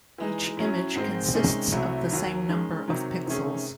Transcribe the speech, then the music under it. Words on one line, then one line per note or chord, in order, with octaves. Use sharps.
Each image consists of the same number of pixels.
E3 G#3 D#4
A2 F#3 C#4
G#2 D#3 G#3 C4
C3 D#3 G#3 C#4
C2 C3 F#3 A3
D#2 D#3 F#3
D#3 G#3 C#4
C3 D#3 F#3
C3 D#3 A3 C#4 G#4